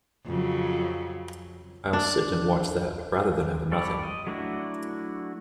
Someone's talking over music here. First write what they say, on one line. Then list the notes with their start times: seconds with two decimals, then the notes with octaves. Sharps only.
I'll sit and watch that rather than have nothing.
0.26 F2 C#3 F#3
1.93 D4
3.72 G3 A4 C#5 D5 B5
4.03 D#5
4.27 F#3 A3 D4 E4 F#4